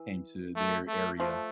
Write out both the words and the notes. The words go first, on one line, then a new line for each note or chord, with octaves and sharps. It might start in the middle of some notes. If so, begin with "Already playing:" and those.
came to their area
Already playing: E3
A3
A3
F3 A3